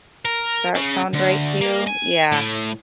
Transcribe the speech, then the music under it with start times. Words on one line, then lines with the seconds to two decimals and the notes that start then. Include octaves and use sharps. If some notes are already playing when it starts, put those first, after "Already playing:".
Does that sound right to you? Yeah.
0.25 A#4
0.75 C#3
1.13 D2
1.61 A#3
1.87 G#5
2.33 A2